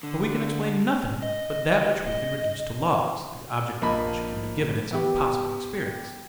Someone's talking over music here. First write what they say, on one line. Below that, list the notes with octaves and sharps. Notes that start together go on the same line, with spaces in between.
For we can explain nothing but that which we can reduce to laws, the object of which can be given in some possible experience.
D3
D#5
D#5
A#1 A#3 D#5 A5 B5
B3 G4